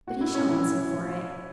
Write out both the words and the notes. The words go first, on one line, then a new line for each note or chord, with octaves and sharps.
'But he shall answer for it.
A2 F#4
E4
C#4
A2 E4
A2